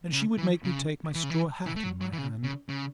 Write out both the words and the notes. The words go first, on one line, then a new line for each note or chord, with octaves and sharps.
And she would make me take my straw hat in my hand.
C#3
E3
C#3
E3
C#3
E3
E3
A3
F#3
F#3
E3
C#3
C#3
C#3